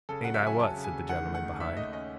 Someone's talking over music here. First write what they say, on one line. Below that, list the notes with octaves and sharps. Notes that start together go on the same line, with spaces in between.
'Ain't I what?' said the gentleman behind.
C#3 A4
F#3 F#5
E5
F#3 G#5
C#3 A5
C#3
G#5
C#3
D#3 F#5
A3
F#5
D#3
D#2 E5
A3 D#5
C#4 D#5